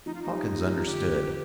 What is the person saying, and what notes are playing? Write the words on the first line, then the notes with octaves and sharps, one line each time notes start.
Hawkins understood.
F3 D#4
F4
G3 D#4
G3
G3
F3
D3 G4